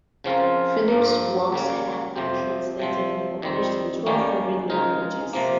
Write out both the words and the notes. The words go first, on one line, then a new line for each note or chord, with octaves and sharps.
Phillips' works have been translated and published in twelve foreign languages.
C#3 F3 C4 F4 A#4
G2 F3 A#3
C#3 G3 A#3
F2 C3 F3 C4 G4
C3 F3 C4
F2 D#3 G3 C4
D#2 D#3 G3 A#3 C#4
C#3 G#3 D#4 A#4
C3 F3 A#3